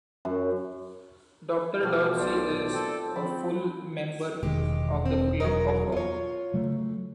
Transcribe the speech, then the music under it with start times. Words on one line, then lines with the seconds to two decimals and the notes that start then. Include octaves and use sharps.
Doctor Dorsey is a "Full member" of the Club of Rome.
0.25 F#2
1.81 B2 F3 A3 G4 F6
2.18 B1 C5 D5
2.73 C4 A4
3.16 F3 C4 B5
4.43 E1 D#3 G#3 G4
5.05 C4
5.40 F#3 A#4
5.92 F4 C#5
6.54 C#3 F#3 A3